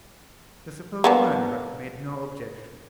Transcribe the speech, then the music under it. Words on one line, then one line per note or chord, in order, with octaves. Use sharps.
The supposed murderer made no objection.
A#3 B3 D4